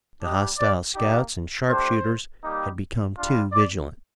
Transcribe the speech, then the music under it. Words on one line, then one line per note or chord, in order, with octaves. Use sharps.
The hostile scouts and sharpshooters had become too vigilant.
G3 D4 G4 D#5
D5
A#3 D#4 G4 D5
A3 D4 G4 C5
G3 A#3 D#4 G4
G3 D4 F4
D5